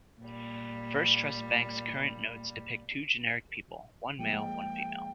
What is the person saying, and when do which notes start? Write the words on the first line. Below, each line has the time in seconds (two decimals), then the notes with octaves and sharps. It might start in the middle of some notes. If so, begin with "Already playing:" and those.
First Trust Bank's current notes depict two generic people, one male, one female.
0.20 A#2 G3
4.19 F3 G#3 A#3 G5